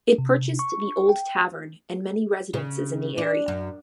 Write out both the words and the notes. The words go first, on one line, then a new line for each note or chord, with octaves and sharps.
It purchased the Old Tavern and many residences in the area.
C3
C#6
G5
C#3
D4
F#2